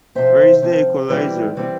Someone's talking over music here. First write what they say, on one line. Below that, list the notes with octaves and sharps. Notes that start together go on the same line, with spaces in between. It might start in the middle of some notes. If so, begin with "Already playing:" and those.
Where is the equalizer?
C3 F3 C4 C5 E5
C3 F3 C4
E3 G3 C4 E4 B4 D5
E3 G3 C4 E4